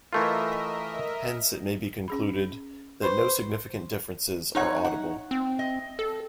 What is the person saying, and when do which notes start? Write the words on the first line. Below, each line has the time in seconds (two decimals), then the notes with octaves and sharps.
Hence it may be concluded that no significant differences are audible.
0.13 E3 A3 F4 A#4 D#5 E5
2.08 C#4 G#4 B5
3.03 B4 C5 B5 C#6
4.55 F2 D#4 C#5 F#5
4.85 F#5
5.31 C4
5.59 D#5
5.99 A4